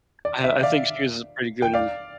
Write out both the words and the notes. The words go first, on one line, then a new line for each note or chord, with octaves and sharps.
I I think she was, uh, pretty good in
D5
E5
D5 F5
G5
D5 F5